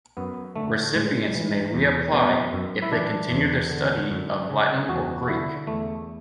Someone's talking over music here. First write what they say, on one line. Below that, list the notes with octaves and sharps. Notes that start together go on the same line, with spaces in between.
Recipients may reapply, if they continue their study of Latin or Greek.
F#2 B3
D3 A3
A2 G#3
E3
E2
B2 B3
F#2
E4
E3 D4
E2
D3
F#2
C#3
G#4
E2 F#4
F#4
D3 E4
E2 A3